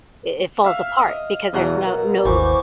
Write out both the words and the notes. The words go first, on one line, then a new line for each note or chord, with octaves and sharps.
i it falls apart because there's no no
E5 F5
D#5
E2 B2 F#3 F#5
A#4
G#1 D#2 E3 C5 C#6 D6